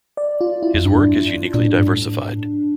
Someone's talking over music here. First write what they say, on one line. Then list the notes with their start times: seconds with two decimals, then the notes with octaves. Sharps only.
His work is uniquely diversified.
0.17 D5
0.41 F4
0.63 E4
0.74 F2
0.86 G2 D4
1.54 A#2 D4
1.66 A2
1.77 G2
1.89 A2